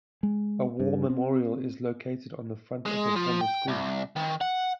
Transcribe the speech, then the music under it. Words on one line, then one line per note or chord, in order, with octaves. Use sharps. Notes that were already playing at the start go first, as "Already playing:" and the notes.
A war memorial is located on the front of the former school.
G#3
G2
C4
G#3
F3
G5
C2
D#3
F#5